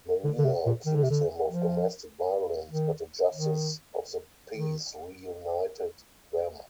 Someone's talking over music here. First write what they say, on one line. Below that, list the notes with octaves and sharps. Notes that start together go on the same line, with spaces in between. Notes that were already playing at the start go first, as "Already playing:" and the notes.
Marina accused him of domestic violence, but a justice of the peace reunited them.
D3
D3
C3
A#2
D#3
D3
C3
D3
F3
D#3
D#3
D#3